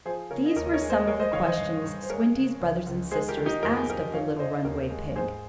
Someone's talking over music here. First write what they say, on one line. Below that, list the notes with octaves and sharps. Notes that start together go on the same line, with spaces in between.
These were some of the questions Squinty's brothers and sisters asked of the little runaway pig.
F3 G#4 C5
C#3 A#4 C#5
D#5
D#2 A#4 C#5
D#5
A#4 C#5
G#3
C5 D#5
G#3 A#4 C#5
C5 D#5
D#3 C#5 F5
C5 D#5
G2
G2
C5
G#3 A#4 C#5
C#3
C#2
C#2
G#3 G#4 C5
G4 A#4
D#3
D#4 G4
F2 A#4
G#4
F2 G4 A#4
F3 C#5 F5
C#3 C5 D#5
D#2 G4 A#4
G#3
G#2 G#4 C5